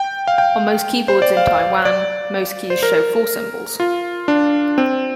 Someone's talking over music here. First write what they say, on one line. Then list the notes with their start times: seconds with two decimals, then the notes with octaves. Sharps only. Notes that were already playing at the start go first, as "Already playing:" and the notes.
On most keyboards in Taiwan, most keys show four symbols.
Already playing: G5
0.27 F5
0.38 G5
1.08 C5
1.22 D5
1.37 F5
1.85 D5
2.70 C5
2.83 A#4
3.80 F4
4.28 D4
4.78 C4